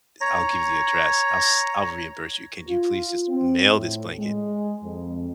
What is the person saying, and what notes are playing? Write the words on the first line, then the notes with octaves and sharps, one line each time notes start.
I'll give you the address. I'll s I'll reimburse you. Can you please just mail this blanket
C#5 A#5
F4
C4
A2
G#3
F2